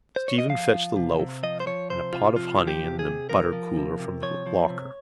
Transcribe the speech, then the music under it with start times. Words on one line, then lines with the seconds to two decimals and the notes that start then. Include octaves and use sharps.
Stephen fetched the loaf and the pot of honey and the buttercooler from the locker.
0.16 C5
0.28 C#5
0.38 D#5
0.49 F3 F5
0.74 F3
0.96 C3
1.19 C3
1.43 F3 D#5
1.60 C5
1.66 F3 C#5
1.90 C3 C5
2.13 C3 F4
2.36 F3 F4
2.60 F3
2.67 G4
2.84 C3
2.99 G#4
3.06 C3
3.29 F3 A#4
3.53 F3
3.77 C3
4.00 C3
4.22 F3 C#5
4.47 F3
4.70 C3